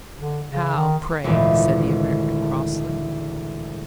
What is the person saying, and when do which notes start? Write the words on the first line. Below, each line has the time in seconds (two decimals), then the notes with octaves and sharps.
"How, pray?" said the American, crossly.
0.18 D3
0.49 C#3
0.77 D#3
1.24 G#1 D2 A#2 E3